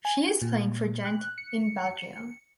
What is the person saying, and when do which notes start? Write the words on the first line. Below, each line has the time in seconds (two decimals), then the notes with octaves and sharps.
She is playing for Gent in Belgium.
0.05 G#5
0.42 A#2
1.05 F#6
1.38 C#7